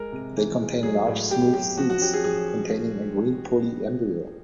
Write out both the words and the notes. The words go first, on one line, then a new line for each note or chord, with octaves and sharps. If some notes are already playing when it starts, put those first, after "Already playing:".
They contain large smooth seeds, containing a green polyembryo.
Already playing: G#3 A#4
C3
E3
G#3
F#3 G#4
A2
A2 G4
F#3 G4
F3 F#4
F#4
C#4 G4
G#4
F3 G#4